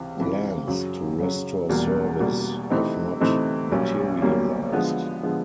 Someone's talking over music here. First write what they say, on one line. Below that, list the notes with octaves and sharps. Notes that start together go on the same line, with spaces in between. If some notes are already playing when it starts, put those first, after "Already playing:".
Plans to restore service have not materialized.
Already playing: C#2 C3 E3
C#2 C3 E3
F#2 C#3 F#3
F#2 C#3 F#3
E1 E2 B2 G3 A#3
E1 E2 B2 G3 A#3
C3 E3 A3 C4 D#4
C3 E3 A3 C4 D#4
B1 B2 G3 A#3 C#4
B1 B2 G3 A#3 C#4
D3 F3 G#3 B3
D3 F3 G#3 B3